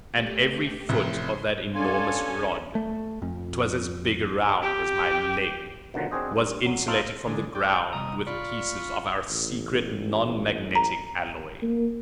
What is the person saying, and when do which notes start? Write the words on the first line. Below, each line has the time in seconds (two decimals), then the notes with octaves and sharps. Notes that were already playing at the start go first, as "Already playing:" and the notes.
And every foot of that enormous rod-- 'twas as big around as my leg--was insulated from the ground with pieces of our secret non-magnetic alloy!
0.12 A3 G4
0.89 A1 C3 F3 A3 C6
1.75 C#4 D4 F4 A4 G#5
2.75 A3
3.22 F2
4.62 G4
5.94 B2 D3 D#3 F3 F#3
6.11 C4 D4 F#4 G#4 C5 D#5
6.36 G2
6.64 F2 F#3
6.88 D#4 F4 A4 C5
7.27 D3 G#3
7.55 D5 G5
7.93 C2 D#5 A#5
8.27 F4 D5 B5 C#6
9.30 A1
10.75 A#5
11.62 A#3